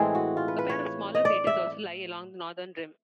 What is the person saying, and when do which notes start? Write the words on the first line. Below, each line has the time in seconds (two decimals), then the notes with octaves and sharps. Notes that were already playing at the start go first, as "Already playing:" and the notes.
A pair of smaller craters also lie along the northern rim.
Already playing: A2 E3 G#3 C4 G#4
0.15 F#4
0.37 F4
0.48 B4
0.59 B4
0.69 C#5
1.15 D#5
1.25 D5
1.47 E5